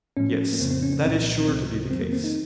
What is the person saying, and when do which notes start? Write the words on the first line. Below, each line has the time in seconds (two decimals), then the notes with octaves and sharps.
Yes, that is sure to be the case.
0.17 A2 F3 C#4
0.53 A#3
0.60 F2 C#3 F3 C4
0.71 C4
0.82 C#4
0.93 C#4
1.04 C2 A#2 F3 C4
1.47 C#2 C3 F3 C4
1.91 F2 D#3 F#3 C4
2.01 A#3
2.12 C4
2.24 D#4